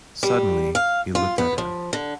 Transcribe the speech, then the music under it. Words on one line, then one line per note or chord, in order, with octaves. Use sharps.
Suddenly he looked at her.
G3
F5
F4
B3
F3
D3